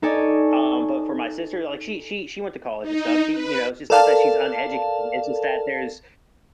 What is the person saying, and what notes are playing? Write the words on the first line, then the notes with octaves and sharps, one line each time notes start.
um, but for my sister, like she she she went to college and stuff. She you know, it's not that she's uneducated, it's just that there's,
D#4 A4 C#5 D5 G#5
D#4
B4
A4 A#4 D5 F5 A5